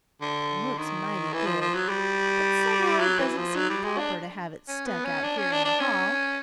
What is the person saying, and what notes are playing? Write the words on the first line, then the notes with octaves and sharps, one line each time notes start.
It looks mighty good, but somehow it doesn't seem proper to have it stuck out here in the hall.
D3
D#3
E3
F3
F3
F#3
G3
F#3
E3
F3
F#3
G3
G#3
D4
C#4
B3
C#4
D4
C#4
D4
D4
C#4